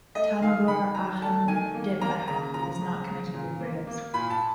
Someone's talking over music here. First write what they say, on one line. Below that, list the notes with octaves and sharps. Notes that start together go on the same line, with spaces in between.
Tamabur-Ahmedabad is not connected with rails.
A3 D#5
D#3 F5
D#3 B5
F#3 A#5
A3 A5
D#3 G#5
A#3
A#3 A#5
C#3 A#5
F3 A#5
C#3
C#3
A#2
A#3
A#3
A#2 B5
A5